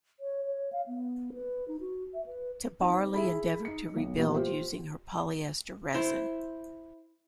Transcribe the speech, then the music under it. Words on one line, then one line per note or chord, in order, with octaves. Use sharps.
Tabarly endeavoured to rebuild her using polyester resin.
C#5
C#5
F5
B3
B4
D#4
F#4
E5
B4
C4 D#4
E4 G#4 B5
D#4 C#7
B1
A#2 E3 G3 B3
F4 G4 C5
E4 C5